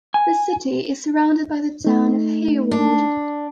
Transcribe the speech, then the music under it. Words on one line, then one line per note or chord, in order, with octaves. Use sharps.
The city is surrounded by the Town of Hayward.
G#5
A3 D#4
D4